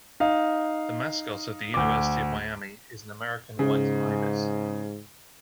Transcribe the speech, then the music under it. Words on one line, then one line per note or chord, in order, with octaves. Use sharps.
The mascot of the University of Miami is an American white ibis.
D#4 F5
D2 D6
G#2 C#3